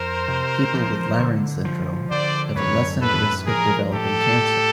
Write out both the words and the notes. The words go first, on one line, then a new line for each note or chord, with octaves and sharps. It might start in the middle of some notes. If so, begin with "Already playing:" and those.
People with Laron syndrome have a lessened risk of developing cancer.
Already playing: F2 A#4 C5
C3
F3
D3
F3
D3 C5 D5
F#2 B4 C#5
A2 A4 B4
F3 G#4 A#4
A2 G4 A4
A2